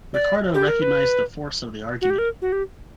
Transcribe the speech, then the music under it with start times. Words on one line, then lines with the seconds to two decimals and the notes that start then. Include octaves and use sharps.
Ricardo recognised the force of the argument.
0.14 D5
0.54 G4
0.68 A#4
0.82 B4
2.02 F#4
2.10 G4
2.18 A#4
2.42 F#4
2.52 G4